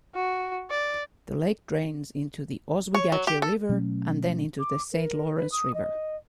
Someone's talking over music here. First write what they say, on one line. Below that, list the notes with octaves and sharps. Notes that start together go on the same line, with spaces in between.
The lake drains into the Oswegatchie River and then into the Saint Lawrence River.
F#4
D5
C#5
F#3
G4
A4
B2 F#3 A3 C#4
D6
A#4
B4
D#6
D#5